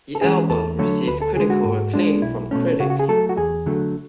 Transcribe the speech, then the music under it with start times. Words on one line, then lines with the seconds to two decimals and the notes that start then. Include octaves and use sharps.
The album received critical acclaim from critics.
0.15 A4
0.21 E3 G#3 C#4 E4 G#4
0.49 E2 A4
0.79 D3 F#3 A3 C#5
1.07 D2 B4
1.22 A4
1.36 D3 G#3 G#4
1.50 F#4
1.65 G#2
1.94 G#3 D4
2.22 B1 E4
2.51 B2 A3 C#4
2.80 C#3 F#4
2.90 F#4
2.99 G#4
3.08 F#3 A3 A4
3.29 F#4
3.37 E2 G#4
3.66 D3 F#3 A3